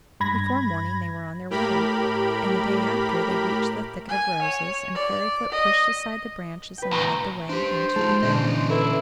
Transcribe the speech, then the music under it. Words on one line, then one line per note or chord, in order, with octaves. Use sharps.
Before morning they were on their way, and the day after they reached the thicket of roses, and Fairyfoot pushed aside the branches and led the way into the dell.
G2 B5 G#6 A#6
A2 G4 A#4 B5
G#5
C#5
D5
D#5
B4 G5
D2 A2 A#5
D4 G4 C5
G#3 D#4 F4 A5
A#2 D3 E3 C#4 D5 D#5
E4 A4 B4